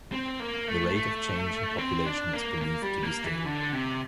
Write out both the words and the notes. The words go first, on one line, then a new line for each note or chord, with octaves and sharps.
The rate of change in population is believed to be stable.
C4
A#3
A3
A3
C4
D4
A#3
A#3
G3
A#3
E3
D3
C3